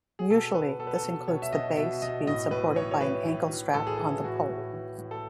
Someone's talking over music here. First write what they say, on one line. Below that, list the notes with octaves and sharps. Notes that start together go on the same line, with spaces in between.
Usually this includes the base being supported by an ankle strap on the pole.
G#4
B2 A4
B2 B4
B2 A4
B4
A4
B2
B2 C#5
E5
B2 D#5
B2 E5
B2 D#5
A2 D#5
A2 B4
E3 C#5
C#5
E3 B4
E3
E3
A2 A4
G#4
E3 A4
A2 F#4
A2
E3
A2
A4